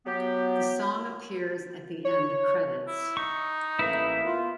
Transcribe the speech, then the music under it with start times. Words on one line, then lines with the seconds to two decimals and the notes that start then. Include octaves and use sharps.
The song appears at the end credits.
0.06 F#3 B3 G4
2.05 C#5
2.87 E4
3.17 D#4 C#6
3.79 A1 A#3 E4 B4 E5
4.24 B3 F4